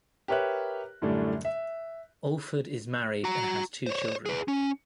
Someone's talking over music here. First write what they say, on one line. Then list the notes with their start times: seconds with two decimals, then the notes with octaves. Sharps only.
Alford is married and has two children.
0.28 G4 A#4 B4 C#5 E5 F#6
1.02 F#2 A2 D3 G3 A3 D4
1.45 E5
3.24 F#4 A#5
3.86 C5 C#5
4.26 G#4 B4
4.48 C#4